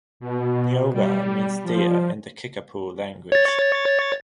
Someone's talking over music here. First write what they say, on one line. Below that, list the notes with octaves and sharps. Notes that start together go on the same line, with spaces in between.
"Neoga" means "deer" in the Kickapoo language.
B2
G3
F3
C#5 A6